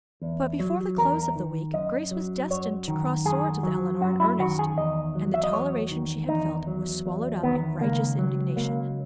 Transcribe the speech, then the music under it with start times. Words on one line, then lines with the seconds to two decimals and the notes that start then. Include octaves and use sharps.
But before the close of the week Grace was destined to cross swords with Eleanor in earnest, and the toleration she had felt was swallowed up in righteous indignation.
0.22 E2
0.60 F#3
0.97 E2 A#4
1.36 D#3
1.73 F#2 D#5
2.11 F#3
2.50 F#2 C#5
2.88 D#3
3.25 F#2 G#4
3.63 F#3
4.01 F#2 F#4
4.20 E4
4.39 D#3 F#4
4.59 G#4
4.77 E2 D#5
5.15 F#3
5.34 E5
5.44 D#5
5.53 E2 C#5
5.91 D#3
6.29 E2 D#4
6.67 F#3
7.06 E2
7.43 D#3 B3
7.81 C#2 A#3
8.19 F#3
8.56 C#2 A#3